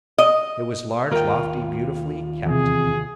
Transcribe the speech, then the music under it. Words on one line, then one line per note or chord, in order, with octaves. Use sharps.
It was large, lofty, beautifully kept.
D#5
D#2 F4 A#4 G5
E2 C3 G#4